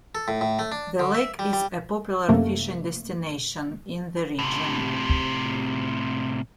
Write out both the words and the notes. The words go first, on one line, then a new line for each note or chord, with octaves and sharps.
The lake is a popular fishing destination in the region.
A4
A2
A2
A3
D4
D3
E5
G3
G3
F#2 C3 A3 A#3
A2 C3